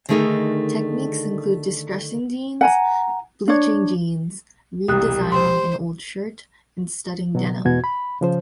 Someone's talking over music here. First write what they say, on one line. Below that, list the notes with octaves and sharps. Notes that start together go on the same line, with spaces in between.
Techniques include distressing jeans, bleaching jeans, redesigning an old shirt, and studding denim.
D3 D#3 A3 D#4 G#4 A#4
F#5 G#5 A#5
D4 C#5
E1 C2 G4 D#6 F#6
C5 C6
B2 F#3
E2 B2 F#4 G#6
B5
C#3 F3 C5